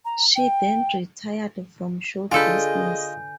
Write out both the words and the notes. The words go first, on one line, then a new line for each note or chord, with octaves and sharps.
She then retired from show business.
A#5
G5
D3 F4 G#4 A4 B4 D#5 G#5 G6